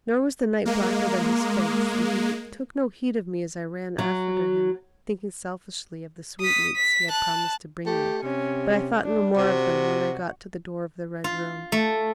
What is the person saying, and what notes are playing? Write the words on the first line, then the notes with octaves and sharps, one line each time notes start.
Nor was the night blacker than his face, and he took no heed of me as I ran after him, thinking selfishly of the sweetmeats he had promised to bring me--but I thought no more of them when I got to the door of the Red Room.
G#3 A#3
F#3
D#6 B6
B6
A5 F#6
A3 G4
C3 C#4
D4
C3 F#4
F4
A3